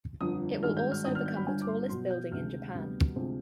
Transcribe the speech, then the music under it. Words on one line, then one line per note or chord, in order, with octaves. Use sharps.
It will also become the tallest building in Japan.
G1 F2 D3 D#6
G#1 G2 D#3 G#3 F6
G6
F6
G#1 G2 D#3 B3 D#6
F6
G6
B5
G1 G2 D3 G#5
D6
C6
B1 B2 B3 C6
G6
D2 C3 D#3 G#3 F6
D2 C3 G3 B3
D2 C3 F3 G#3 C4